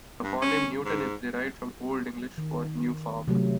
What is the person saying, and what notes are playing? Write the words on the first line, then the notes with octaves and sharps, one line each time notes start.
The toponym "Newton" is derived from the Old English for "new farm".
G2
C#4
G#2
D#3
C3 F#3 A3